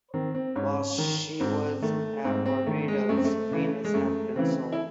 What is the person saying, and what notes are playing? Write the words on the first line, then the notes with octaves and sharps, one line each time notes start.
While she was at Barbados "Venus" had been sold.
D#3 C4
C4
G#2 C#4
D#3
G#2 C4
D#3 A3
G#2 C4
C4
D#3 A3
G#3
F#2 A3
C4
A3
C#3 E3
G#3
F#2 A3
C#3 E3 C4
E4